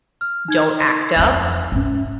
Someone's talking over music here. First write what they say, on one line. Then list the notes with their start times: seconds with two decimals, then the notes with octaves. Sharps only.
"Don't act up,
0.21 F6
0.48 D#4 G#6
1.16 F2 F3 E5
1.72 G#2 C#4